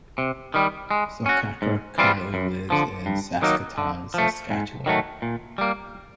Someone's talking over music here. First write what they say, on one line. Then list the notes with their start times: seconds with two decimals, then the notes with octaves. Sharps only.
Sokyrka currently lives in Saskatoon, Saskatchewan.
0.18 C3
0.54 D#3 G3
0.91 G#3
1.26 C#4 F#4
1.62 G#2
1.98 E3 G3 C4 F4
2.34 F#2
2.70 D3 F3
3.06 G2
3.42 D#3 F#3 A#3 D#4
3.78 D3
4.14 F3 A3
4.50 G#2
4.86 D#3 F#3 A3
5.22 A#2
5.58 G3 A#3